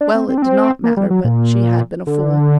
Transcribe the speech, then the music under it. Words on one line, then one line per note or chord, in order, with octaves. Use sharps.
Well, it did not matter, but she had been a fool.
D4
C4
C4
D4
C4
A#3
G3
F#3
A#2
D3